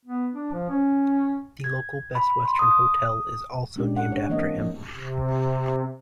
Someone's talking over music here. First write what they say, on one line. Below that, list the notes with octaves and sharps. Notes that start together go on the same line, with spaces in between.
The local Best Western hotel is also named after him.
B3
D4
F3
C#4
G#6
B5
C6
D#6
G#3 A3 C#4 D4 G4
F#5
D4 C#5
E3 A#3 C4 D#5
F3 A#3
C3